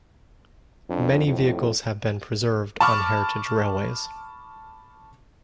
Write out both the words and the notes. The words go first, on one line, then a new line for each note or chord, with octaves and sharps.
Many vehicles have been preserved on heritage railways.
F2 D4
F2 A2
A5 B5 C#6 D6 F6